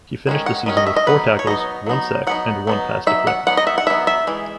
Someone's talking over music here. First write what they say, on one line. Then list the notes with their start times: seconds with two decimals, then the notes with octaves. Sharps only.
He finished the season with four tackles, one sack and one pass deflected.
0.27 D#3 G#3 C#4
0.46 F#5
0.66 D#3 G#3 C#4
0.77 D#5
0.87 E5
0.96 D#5
1.07 F#3 B3 D#4 B4
1.39 C#5
1.47 F#3 B3 D#4 D#5
1.86 F#3 B3 D#4
2.27 F#3 B3 D#4 F#5
2.67 F#3 B3 D#4
3.07 F#3 B3 D#4 E5
3.27 F#5
3.47 F#3 B3 D#4 F#5
3.57 D#5
3.67 E5
3.78 F#5
3.87 F#3 B3 D#4 E5
4.07 E5
4.27 E3 G#3